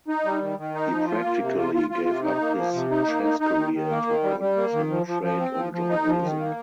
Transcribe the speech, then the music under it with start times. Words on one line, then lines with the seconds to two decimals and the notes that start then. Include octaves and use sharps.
He practically gave up his chess career to concentrate on journalism.
0.08 D#4
0.25 G3
0.42 D#3
0.58 D#3
0.74 D#4
0.91 F3
1.08 F4
1.24 A#3
1.41 C3
1.58 F4
1.74 F4
1.90 F4
2.08 C3
2.24 D#4
2.41 A#3
2.57 F3
2.74 C3
2.90 D#4
3.07 A#3
3.24 D#4
3.40 D#4
3.57 D#3
3.73 D#3
3.90 A#3
4.07 D#3
4.23 G3
4.40 G3
4.56 A#3
4.73 D#3
4.90 F3
5.06 F3
5.23 F3
5.40 C4
5.56 F3
5.73 F3
5.89 D#4
6.06 F3
6.22 D#3
6.39 A#3